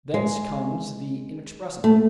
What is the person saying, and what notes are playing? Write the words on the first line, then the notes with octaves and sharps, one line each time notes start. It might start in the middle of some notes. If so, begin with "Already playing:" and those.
Thence comes the inexpressible.
G#3
A3